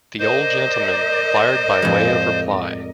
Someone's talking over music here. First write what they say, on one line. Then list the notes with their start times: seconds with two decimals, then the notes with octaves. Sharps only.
The old gentleman fired by way of reply.
0.20 A#4 C5 D5 D#5
1.82 F2 A2 G#3